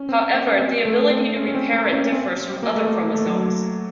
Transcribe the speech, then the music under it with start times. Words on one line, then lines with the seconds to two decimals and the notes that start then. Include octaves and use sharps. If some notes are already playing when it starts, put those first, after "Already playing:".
However, the ability to repair it differs from other chromosomes.
Already playing: C#4
0.09 C4
0.34 A#3
0.47 C#4
0.59 C4
0.85 A3
1.10 C4
1.36 C#4
1.48 C#4
1.55 C4
1.73 A#3
1.93 C#4
2.12 C4
2.63 A#3
2.76 A3
2.87 A#3
3.15 A3
3.26 F#3